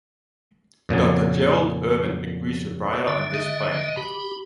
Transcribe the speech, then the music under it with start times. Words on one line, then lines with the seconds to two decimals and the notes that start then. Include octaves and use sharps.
Doctor Gerald Irwin agrees with Brier on this point.
0.89 F2 A#2 C#3 F#3
3.08 D3 E5
3.34 D#5
3.97 G4 B5